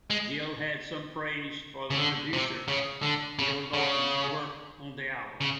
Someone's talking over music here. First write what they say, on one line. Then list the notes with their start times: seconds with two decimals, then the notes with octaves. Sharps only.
Gill had some praise for producer Gil Norton's work on the album.
0.10 G#3
1.91 C#3
1.97 D3
2.33 C3
2.68 C#3
3.03 D3
3.39 C#3
3.74 C#3
5.41 C#3